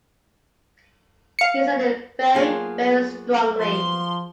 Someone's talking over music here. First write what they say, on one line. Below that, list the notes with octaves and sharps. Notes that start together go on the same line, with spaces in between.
He said it very, very strongly.
F5 C#7
F#3 A#3 B3 F4 G#4
F3 C6